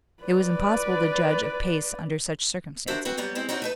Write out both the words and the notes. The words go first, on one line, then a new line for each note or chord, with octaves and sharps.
It was impossible to judge of pace under such circumstances.
B4 D5
D4 F#4 A#4 C5 E5
C4 F#4 B4
F#3 G3 B3 G4
G#3 C4 E4
C4 C#4 D#4 E4 F#4
A3 D#4 B4